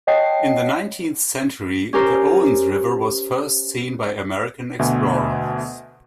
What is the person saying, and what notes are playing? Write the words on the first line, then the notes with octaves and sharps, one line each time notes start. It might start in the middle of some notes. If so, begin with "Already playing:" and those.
In the nineteenth century, the Owens River was first seen by American explorers.
C#5 D#5 F#5 G5 A5 C7
C#4 G4 A#4 C5
D2 B2 E5